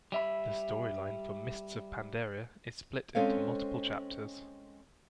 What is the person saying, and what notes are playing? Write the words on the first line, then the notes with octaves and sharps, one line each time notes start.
The storyline for "Mists of Pandaria" is split into multiple chapters.
G3 E5 B5
G#3 C4 C#4 A4 C5 F5